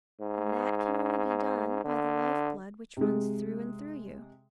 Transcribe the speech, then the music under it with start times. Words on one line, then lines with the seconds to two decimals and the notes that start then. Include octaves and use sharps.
And that can only be done by the life-blood which runs through and through you.
0.21 G#2
1.84 D3
2.97 C3 G#3